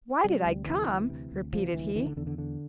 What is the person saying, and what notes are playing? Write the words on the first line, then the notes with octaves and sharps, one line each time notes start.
"Why did I come?" repeated he.
C3 G3
D2
C3 E3
D2
C3
D2
C3 F3
D2 E3
D3 E3
D3
E2 D3
D3
D3